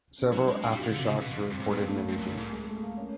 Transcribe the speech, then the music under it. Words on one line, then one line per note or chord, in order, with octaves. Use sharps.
Several aftershocks were reported in the region.
C4
D4
F#3 D#4
G#3
G#3 F4
G3
F#4
D#3
D3 F4
C3
C#3
B2
F2
G2 C4
G#2
G2 B3
A#3
A3
A#3
G2
F#2
G2
G#2
G#3
A3
A#3
C#4